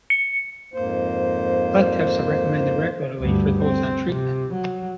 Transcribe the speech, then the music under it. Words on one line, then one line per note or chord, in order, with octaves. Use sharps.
Blood tests are recommended regularly for those on treatment.
C#7
F2 G#2 A#3 C5
D2 G2
C4
C3
F#3